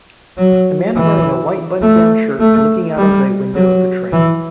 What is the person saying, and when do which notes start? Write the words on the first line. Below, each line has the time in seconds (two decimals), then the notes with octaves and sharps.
A man wearing a white button down shirt looking out of a window of a train.
0.38 F#3
0.96 E3
1.82 A3
2.40 A3
2.97 G3
3.55 F#3
4.13 E3